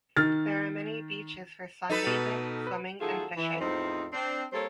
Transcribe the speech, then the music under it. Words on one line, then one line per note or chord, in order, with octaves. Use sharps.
There are many beaches for sunbathing, swimming and fishing.
D#3 F6 A6
D#4 A4 B4
B2
B4
D#3 F#3 A3 F4 G#4 A4
E3
E2 A2 F3 C4 D#4
C4 D4
G3 A#3 C4 A4 C5 C#5